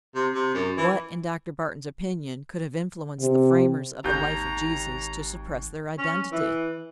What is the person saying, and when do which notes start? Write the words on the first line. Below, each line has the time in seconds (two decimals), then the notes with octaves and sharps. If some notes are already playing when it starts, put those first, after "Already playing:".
What, in Dr. Barton's opinion, could have influenced the framers of the life of Jesus to suppress their identity?
0.15 C3
0.34 C3
0.54 F#2
0.78 E3
3.20 C3
4.04 G#1 D#2 A#5 G6
5.97 C#4
6.32 E3